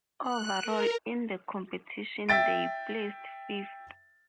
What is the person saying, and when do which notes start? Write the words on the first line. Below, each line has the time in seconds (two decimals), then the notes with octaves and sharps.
Overall in the competition they placed fifth.
0.22 F#6
0.63 A#4
2.29 E5 G5 A6 D7